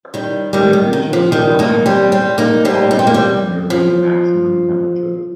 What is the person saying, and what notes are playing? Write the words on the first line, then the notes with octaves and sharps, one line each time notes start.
When it reaches the brine heater it already has nearly the maximum temperature.
D#3 G3
D#3 G3
D#3
D#3
F3
D#3 G3
A#3 D#4
G3 C4
G3 C4
A#3 D#4
G3 C4
D#4
C4
A#3
G3 C4
F3